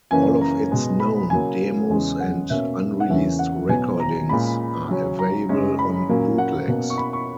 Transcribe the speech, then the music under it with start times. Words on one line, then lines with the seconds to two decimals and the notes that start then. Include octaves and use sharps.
All of its known demos and unreleased recordings are available on bootlegs.
0.11 F#2 C#3 E3 A#3 C#4 G#5
0.41 A#5
0.71 B2 G#3 B3
1.00 B5
1.30 C#3 F#3 A#3 G#5
1.90 E2 C#3 G#3 C#4
2.20 F#5
2.50 B2 A#3 C#4 E5
3.00 F#5
3.09 E2 C#3 E3 A#3 C#4 E5
3.39 F#5
3.69 B2 F#3 B3 G#5
4.00 A#5
4.29 A#2 G#3 C#4 B5
4.89 C#3 F#3 C#4
5.19 A#5
5.49 F#2 C#3 G#3 C#4
5.79 B5
6.09 A#2 F#3 A#3 C#4
6.38 F#5
6.68 B2 A#3 C#4
6.90 C#6
6.98 B5
7.13 C#6